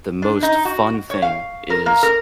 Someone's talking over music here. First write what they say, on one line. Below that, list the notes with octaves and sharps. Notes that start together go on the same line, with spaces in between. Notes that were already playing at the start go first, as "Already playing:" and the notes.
the most fun thing is
D4
D#4
F#4
C#5
F5
A#4
A#3
A#4